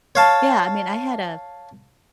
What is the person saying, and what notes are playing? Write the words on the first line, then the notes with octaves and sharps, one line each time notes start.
yeah, I mean, I had a
C#5 F5 A5